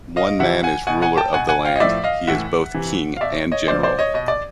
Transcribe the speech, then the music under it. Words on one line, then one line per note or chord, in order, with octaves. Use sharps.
One man is the ruler of the land: he is both king and general.
D#5 F5
C3 E3 E5 F#5
F#5 G#5
B2 F#5 G#5
F#5 G#5
G5 A5
B2 F#5 G#5
F#5 G#5
F5 G5
D#5
A2 F3 D5 E5
D#5 F5
A2 E3 E5 F#5
C3 E3
F5
B2 D5 E5
C#5 D#5
A#2 F3 C5 D5
C5 D5
C#5 D#5
B2 D#5
D5